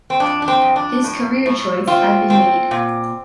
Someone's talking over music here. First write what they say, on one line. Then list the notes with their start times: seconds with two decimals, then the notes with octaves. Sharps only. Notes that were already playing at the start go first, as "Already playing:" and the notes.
His career choice had been made.
0.10 C4
0.20 F2 D4
0.42 D4
0.48 C4
0.62 F2
0.76 D4
1.04 A2
1.46 A2
1.87 C4 F4
2.30 C4
2.71 A#2